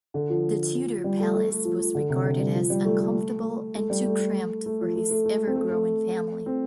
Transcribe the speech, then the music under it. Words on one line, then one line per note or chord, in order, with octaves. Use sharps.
The Tudor palace was regarded as uncomfortable and too cramped for his ever-growing family.
D3
F3
G3
A3
A3
A3
F3
F3
D3
C3
D3
G3
F3
G3
A3
A3
A3
G3
A3
A3
A3
F3
A3
A3
A3
C4
A3
A3
C4